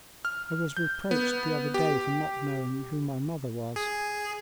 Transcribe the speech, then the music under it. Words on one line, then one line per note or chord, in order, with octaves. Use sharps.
"I was reproached the other day for not knowing who my mother was."
F6
G6
B3
G4
G#4